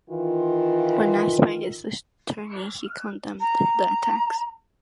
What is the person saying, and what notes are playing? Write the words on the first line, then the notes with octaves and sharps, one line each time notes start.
When asked by his attorney, he condemned the attacks.
D#3 E3 F4
A#5